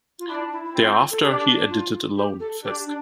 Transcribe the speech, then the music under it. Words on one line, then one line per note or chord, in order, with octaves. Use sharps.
Thereafter, he edited alone fasc.
F4
D4 E4
E4
E4
C4 F4
A4
D4 G4
F4
G4
A4
D4 G4
D4